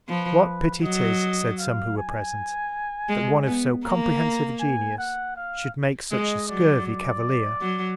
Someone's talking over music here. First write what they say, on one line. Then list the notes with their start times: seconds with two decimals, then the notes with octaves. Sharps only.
What Pity 'tis, said some who were present, that one of so comprehensive a Genius, should make such a scurvy Cavalier?
0.08 F3 B4
0.83 F#3 D#5
1.59 F5
1.97 G#5
3.09 G#3
3.47 B3
3.85 A#3 A#5
4.60 G#5
4.98 F#5
5.36 F5
6.11 G#3 D#5
6.49 F#3 D5
6.87 D5
7.61 F#3